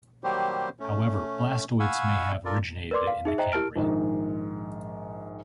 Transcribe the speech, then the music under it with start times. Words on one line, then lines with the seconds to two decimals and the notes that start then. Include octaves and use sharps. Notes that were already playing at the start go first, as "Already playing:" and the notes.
However, blastoids may have originated in the Cambrian.
0.24 D#3 F#3 G3 A#3 G4 C5
0.80 A3 C#4
1.80 F5 F#5 G#5 B5 C#6 E6
2.45 F4 A4 A#4 D5
2.91 A#4 B4 D5 C6 D6
3.07 F5
3.25 D#4 G#4 E5
3.38 C5 D#5 E5 G5 A#5
3.52 E4 G4 A#4 A5 F6 D7
3.76 A#1 G#2 D#3